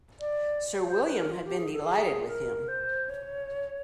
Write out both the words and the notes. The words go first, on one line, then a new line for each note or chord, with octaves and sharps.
Sir William had been delighted with him.
D5
C#5
C5
B4
A#4
F4
G4
G#4
A4
G#4
A#4
C5
C#5